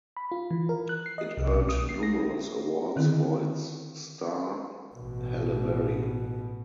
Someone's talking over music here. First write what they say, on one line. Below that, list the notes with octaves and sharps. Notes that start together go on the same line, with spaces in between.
It earned numerous awards for its star, Halle Berry.
B5
F4
E3
A#4
F#6
C7
D#5
C2
B1
D#6
C7
A#6
D3 D#3 C4 E4 G#4
A1 B2